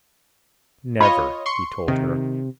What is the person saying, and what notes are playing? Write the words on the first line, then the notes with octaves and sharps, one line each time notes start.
"Never," he told her.
F4 C#5 D#5 B5
C6 C#6 C#7
C3 D#3